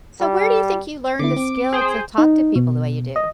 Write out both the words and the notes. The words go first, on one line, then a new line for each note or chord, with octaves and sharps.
So, where do you think you learned the skill to talk to people the way you do?
G3
D3 B3 E4 D6
C4
G#4 C5 G5
D#4
B2
D#5